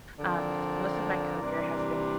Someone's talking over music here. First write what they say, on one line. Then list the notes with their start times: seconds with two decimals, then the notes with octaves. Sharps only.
um, most of my career has been
0.19 D3 F3 C4 A#4 D5
1.41 C3 E3 G3 D4